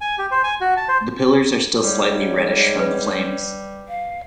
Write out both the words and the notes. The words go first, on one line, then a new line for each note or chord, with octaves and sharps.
The pillars are still slightly reddish from the flames.
G#5
G4
C5
G#5
F#4
A5
C5
G#2 G3 C#5
B4
F5